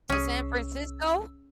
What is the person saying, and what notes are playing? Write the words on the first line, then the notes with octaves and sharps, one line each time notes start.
To San Francisco?
C2 C#4 G#4 E6